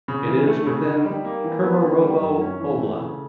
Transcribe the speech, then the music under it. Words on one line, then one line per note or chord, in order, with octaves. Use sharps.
It is within Kemerovo Oblast.
C#3
E3
A3
C#3
D#4
G3
A#3
E3
B3
D3
G3
F#2
C#4
E3
A3
C#3